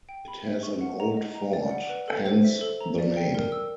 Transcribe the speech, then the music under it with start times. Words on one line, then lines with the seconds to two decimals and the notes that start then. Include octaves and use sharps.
It has an old fort, hence the name.
0.09 G5
0.28 B5
0.45 E5
0.63 C#6
0.81 F#5
1.00 A#5
1.17 D#5
1.35 A#5
1.53 D5
1.71 F#5
1.89 B4
2.08 A4
2.26 C5
2.44 E5
2.61 A4
2.81 A#5
2.98 D5
3.17 G5
3.34 A#4
3.52 E6